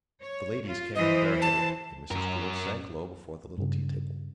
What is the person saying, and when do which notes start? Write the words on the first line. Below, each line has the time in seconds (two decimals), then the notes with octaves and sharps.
The ladies came in bareheaded, and Mrs. Gould sank low before the little tea-table.
0.20 C#5
0.66 F4
0.95 E3 C5 D#5
1.42 A5
2.11 F#2 C#4 A#4
3.58 G2 C#3